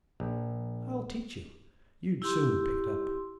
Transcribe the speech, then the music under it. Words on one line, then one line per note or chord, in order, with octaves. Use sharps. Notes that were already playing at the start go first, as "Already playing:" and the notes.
I'll teach you--you'd soon pick it up.'
A#1
E4 G4 C6